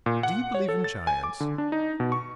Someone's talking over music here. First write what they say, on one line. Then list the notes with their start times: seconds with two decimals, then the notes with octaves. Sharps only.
Do you believe in giants?
0.06 A#2
0.23 F#5
0.55 C#5
0.69 A4
0.84 A6
1.07 G#5
1.24 D6
1.40 D3
1.58 D4
1.72 D#4
2.00 B2
2.12 C#6